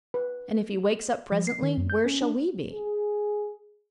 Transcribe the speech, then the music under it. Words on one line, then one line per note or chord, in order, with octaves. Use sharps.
And if he wakes up presently, where shall we be?
B4
F3
C7
D#3
F#2
G6
C#4
D4
G#4